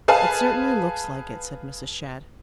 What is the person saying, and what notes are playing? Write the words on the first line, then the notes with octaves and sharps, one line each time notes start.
"It certainly looks like it," said Mrs. Shadd.
G#4 A4 B4 F5 G#5 A5